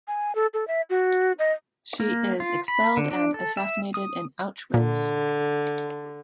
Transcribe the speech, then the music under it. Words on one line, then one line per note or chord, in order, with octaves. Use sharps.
She is expelled and assassinated in Auschwitz.
G#5
A4
A4
E5
F#4
D#5
A#3
F4
B5
D3
D4
A4
E5
D#6
A#2 D3